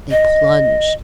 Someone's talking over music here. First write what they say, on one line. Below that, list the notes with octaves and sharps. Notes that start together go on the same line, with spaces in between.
They plunged.
D#5